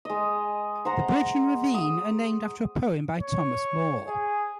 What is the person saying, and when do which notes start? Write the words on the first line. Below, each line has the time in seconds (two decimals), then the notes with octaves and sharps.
The bridge and ravine are named after a poem by Thomas Moore.
0.05 G#3 D#5
0.85 C5 F#5 A#5
1.74 D#6 E6
3.20 C#5
4.07 G#4